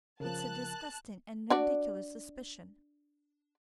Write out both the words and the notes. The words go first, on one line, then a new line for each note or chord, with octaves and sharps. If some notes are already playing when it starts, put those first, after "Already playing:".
It's a disgusting and ridiculous suspicion.
C#3 F3 A#4 A5 F#6
D4 F#4 D5